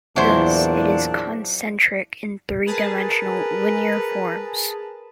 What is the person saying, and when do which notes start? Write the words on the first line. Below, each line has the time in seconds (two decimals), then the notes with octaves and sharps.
Thus, it is concentric in three-dimensional, linear forms.
0.16 E2 A#2 F#3 D4 E4 C5
2.67 G#4 A#4 B4 A5